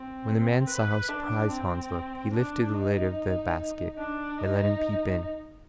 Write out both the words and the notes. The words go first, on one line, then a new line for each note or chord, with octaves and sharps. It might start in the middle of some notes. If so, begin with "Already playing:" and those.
When the man saw how surprised Hans looked, he lifted the lid of the basket and let him peep in.
Already playing: C4
B4
D4
C4
D4
D#4
D4
D#4